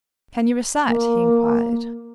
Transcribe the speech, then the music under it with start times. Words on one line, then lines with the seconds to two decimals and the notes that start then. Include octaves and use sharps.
"Can you recite?" he inquired.
0.87 A#3